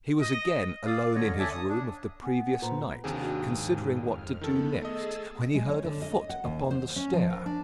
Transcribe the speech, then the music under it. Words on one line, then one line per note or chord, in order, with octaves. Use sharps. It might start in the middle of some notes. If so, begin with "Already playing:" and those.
He was again alone in his room of the previous night, considering what to do next, when he heard a foot upon the stair.
D#5
D5 F5
D3 C#5 D#5
D3 C#5 D5 E5 G#5 A5
D#6
D4
B3 G#5
F#5
A#2 B4 C5 A#5
D#2 C3 D4 F#4 G#4
G#2
F2 F6
D#3 B3 A4 B5
A3 G#4 D#5 E6 A6
G#3
C#5
D3
D#5
F#5
D#2
C5
C#4
F3
A#4
D4